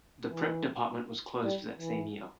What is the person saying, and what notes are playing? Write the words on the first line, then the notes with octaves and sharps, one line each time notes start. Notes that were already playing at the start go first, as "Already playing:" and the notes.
The prep department was closed that same year.
E3
G3
E3